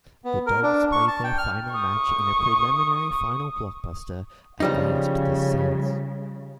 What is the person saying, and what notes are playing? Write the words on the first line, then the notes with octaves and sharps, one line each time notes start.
The Dogs played their final match in a Preliminary Final blockbuster against the Saints.
B3
A#4
D4
C#6
A5
G5
F6
C#6 D#6
C#3 F3 G3 D#4